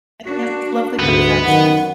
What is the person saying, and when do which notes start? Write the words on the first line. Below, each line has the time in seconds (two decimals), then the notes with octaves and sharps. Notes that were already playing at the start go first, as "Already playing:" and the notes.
and he has this lovely British accent.
0.24 D4 F#4
0.99 D2 G#2 C3 B3
1.46 F#2 D#3 F#5